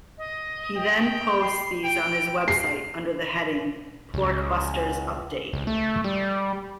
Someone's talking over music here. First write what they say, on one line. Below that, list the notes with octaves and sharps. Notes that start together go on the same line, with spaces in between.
He then posts these on his website under the heading "Porkbusters Update".
D#5
G5
C7
G5 D7
C7
C#2
C#2
A3
G3